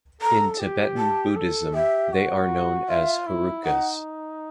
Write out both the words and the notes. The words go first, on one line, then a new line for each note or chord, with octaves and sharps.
In Tibetan Buddhism, they are known as Herukas.
A4 A#5
G4
A5
A4
G4 E5
F#4
F4 E5
E4
D#4 F#5